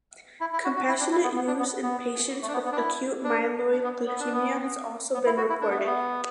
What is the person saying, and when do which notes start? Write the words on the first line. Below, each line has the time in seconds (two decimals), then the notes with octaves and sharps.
Compassionate use in patients with acute myeloid leukemia has also been reported.
0.41 E4
0.53 E4
0.64 F#4
0.76 F#4
0.88 E4
1.00 D4
1.12 E4
1.24 B3
1.35 B3
1.47 D4
1.59 B3
1.82 B3
2.42 A3
2.48 D4
2.54 B3
2.65 B3
2.72 D4
2.77 E4
3.24 D4
3.72 D4
3.84 B3
4.07 B3
4.20 D4
4.33 B3
5.14 B3
5.26 E4
5.37 F#4
5.49 E4
5.61 D4
5.70 B3
5.79 A3
5.86 B3